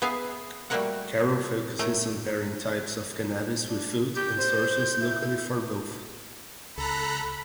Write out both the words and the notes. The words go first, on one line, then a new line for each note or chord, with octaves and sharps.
Carroll focuses on pairing types of cannabis with food and sources locally for both.
B3 G#4 E5 F5
G3 A3 A#3 F#4 A#4 F#5
A2 A3 A#4
D4
G4 G6
C5
E4
C#2 A4 A#5 B5 F#6